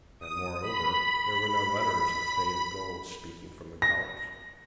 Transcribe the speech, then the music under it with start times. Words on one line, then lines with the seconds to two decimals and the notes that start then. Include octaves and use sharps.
And, moreover, there were no letters of faded gold speaking from the colors.
0.19 D#6
0.62 B5
3.82 A#6